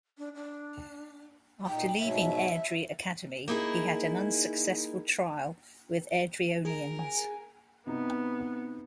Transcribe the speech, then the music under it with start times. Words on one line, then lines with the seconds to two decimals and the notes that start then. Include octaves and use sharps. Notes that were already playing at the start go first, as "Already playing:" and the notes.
After leaving Airdrie Academy he had an unsuccessful trial with Airdrieonians.
0.18 D4
0.35 D4
1.67 A#2 D#4 G5
1.99 G#2 B2 F#3 E5
3.48 A#3 D#4 E4 G#4
6.65 G#4 A#4
6.99 G#5
7.87 C3 B3 D#4